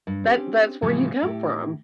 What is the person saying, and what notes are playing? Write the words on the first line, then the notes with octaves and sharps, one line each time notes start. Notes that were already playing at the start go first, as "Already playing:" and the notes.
That that's where you come from,
G2
C4 C#4 G4
A2 C#3 E3 F3 G3
A2 E4 G4